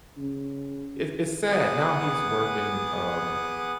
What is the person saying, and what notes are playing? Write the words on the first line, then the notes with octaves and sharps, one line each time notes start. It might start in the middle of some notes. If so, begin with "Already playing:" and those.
I it's sad! Now he's working, um,
C#3
B3 G#4 F#5 D6 D#6